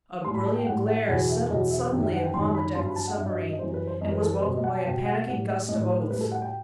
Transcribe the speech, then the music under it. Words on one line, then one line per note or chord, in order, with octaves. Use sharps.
A brilliant glare settled suddenly upon the deck of the submarine, and was welcomed by a panicky gust of oaths.
A2 G3 C6
B5
A5
G5
A2 G3 F#5
F#5
E2 B2 F#3 F#5
E5
E2 B2 F#3 D#5
E5
F#2 D#3 G3 G5
E5
F#5
G5
F#2 D#3 G3 C6
B5
G2 F#3 C6
B5
A5
F#5
G2 F#3 E5
D#5
E5
D#5
F#2 E3 G3 C5
B4
C5
F#2 E3 G3 D#5
B4
A4
B4
B2 G3 C5
D#5
F#5
A5
B2 G3 G5
F#5
A2 G3 F#5
E5
A2 G3 D#5
C5
A2 G3 B4
A4
F#5
G5